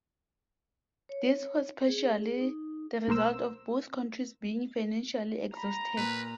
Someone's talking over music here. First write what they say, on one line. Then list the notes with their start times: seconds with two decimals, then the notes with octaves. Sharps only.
This was partially the result of both countries being financially exhausted.
1.09 C#5
1.87 G#4
2.41 D#4
3.08 B1 A#3 A#4 C5 E6
5.57 A#5 B5
5.97 A#2 B4